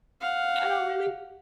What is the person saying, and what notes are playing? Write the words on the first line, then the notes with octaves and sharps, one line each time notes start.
I don't really
F5 F#5